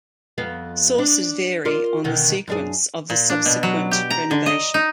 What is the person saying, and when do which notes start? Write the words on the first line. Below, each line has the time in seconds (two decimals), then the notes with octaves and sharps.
Sources vary on the sequence of the subsequent renovation.
0.38 F2 B3 F5
0.98 D4
1.65 F4 A#4 D5
2.04 B2 D3 D#3
2.48 F#2 D4 G#4
3.10 A#2
3.30 D4
3.45 B2
3.63 F#3
3.91 G4
4.10 A#5
4.31 D3
4.46 D#5
4.74 D#4